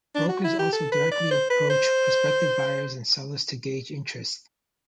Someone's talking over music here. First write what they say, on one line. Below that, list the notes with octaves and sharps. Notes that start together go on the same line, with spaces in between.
Brokers also directly approach prospective buyers and sellers to gauge interest.
D4
F#4
E4
G4
A4
B4
D5
C5
B4
C5